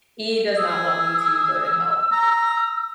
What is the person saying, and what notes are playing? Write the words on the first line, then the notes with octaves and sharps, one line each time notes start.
he does not want me to burn in hell.
G#4 E6
A#5